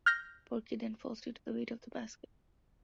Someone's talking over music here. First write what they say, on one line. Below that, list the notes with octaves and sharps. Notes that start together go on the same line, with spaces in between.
Porky then falls due to the weight of the basket.
F6 G6 A#6